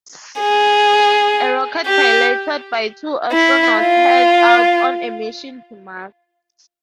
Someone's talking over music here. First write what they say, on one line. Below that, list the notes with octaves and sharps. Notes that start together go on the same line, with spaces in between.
A rocket piloted by two astronauts heads out on a mission to Mars.
G#4
G4
E4
F4